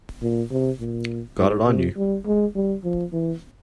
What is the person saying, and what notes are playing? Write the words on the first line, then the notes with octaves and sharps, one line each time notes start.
Got it on you?
A#2
C3
A#2
G#2
C3
G3
G#3
G3
F3
E3